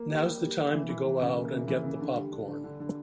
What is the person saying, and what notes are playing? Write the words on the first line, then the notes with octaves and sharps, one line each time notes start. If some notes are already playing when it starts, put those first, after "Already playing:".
Now's the time to go out and get the popcorn.
Already playing: A#3
G4
G3
G3
G3
E3
E3
E3
C#3
A#3
C#3
E3
C#3
D3
G3
D4
D3
D3
D3